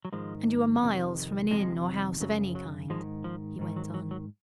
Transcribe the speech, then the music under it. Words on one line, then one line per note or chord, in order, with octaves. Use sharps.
"And you are miles from an inn or house of any kind," he went on.
F#3
G#2 D#3 F3 G#3
F2 C3 D#3
F2 C3 D#3 F3 G#3
F#2 C#3 F#3
F#3
G#2 D#3 F3 G#3
F3
G#2 D#3
F#3
F#3
F#3